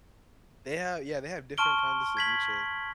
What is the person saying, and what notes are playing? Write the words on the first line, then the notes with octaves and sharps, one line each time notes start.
They have yeah, they have different kind of ceviche.
A5 C6 C#6 F6 D7 G7
G#6 B6 F#7